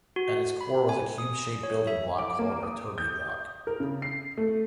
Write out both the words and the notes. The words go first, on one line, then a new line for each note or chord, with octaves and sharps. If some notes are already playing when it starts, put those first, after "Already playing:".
At its core was a cube-shaped building block called a "Tog'l Block".
F#4
B5
G#5
D#6
C#5
E5
D6
A#3
D#6
G6
A#4
C#3
C7
A3